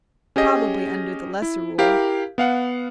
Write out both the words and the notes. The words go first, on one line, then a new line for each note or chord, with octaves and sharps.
"Probably under the Lesser Rule."
C#4 G4 G#4 D#5
E4
E4 G4 A#4 F5
B3 F5 F#5